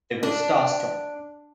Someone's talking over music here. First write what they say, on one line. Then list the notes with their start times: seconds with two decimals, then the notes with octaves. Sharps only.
I was star-struck.
0.23 D4